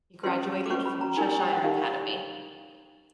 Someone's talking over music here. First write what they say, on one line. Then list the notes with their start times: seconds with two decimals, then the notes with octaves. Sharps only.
He graduated from Cheshire Academy.
0.23 C#4 F#4 B4 C6
0.66 D6
0.70 C#4 F#4 B4 C#6
0.86 B5
1.01 A#5
1.17 D#4 G4 A#4 G#5
1.29 G#5
1.40 G5
1.52 F#5
1.64 D#4 G4 A#4 F5